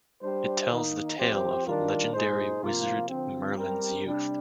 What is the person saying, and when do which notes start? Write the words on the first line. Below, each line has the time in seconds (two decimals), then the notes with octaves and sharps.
It tells the tale of the legendary wizard Merlin's youth.
0.22 G3 D4 G4 C5
0.71 D#3 A#3 D#4
1.18 F3 C4 G4 C5
1.65 D#3 G3 D4 F4 A#4
2.13 A#2 G#3 D#4 G#4 C5
2.61 C3 F3 A#3 F4
3.09 D3 F3 C4
3.56 G3 C4 G4 A#4
4.05 C3 G3 D4